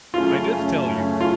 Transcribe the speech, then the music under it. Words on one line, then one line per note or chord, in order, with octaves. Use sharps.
I did tell you.
F#2 C#3 A3 C#4 F4
F4